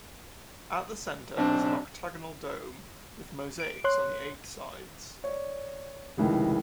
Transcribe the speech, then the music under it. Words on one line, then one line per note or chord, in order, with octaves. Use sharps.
At the centre is an octagonal dome, with mosaics on the eight sides.
B1 C4 D4
D7
C#5 C6 F#6
C#5 D5
F1 C#2 D#3 E3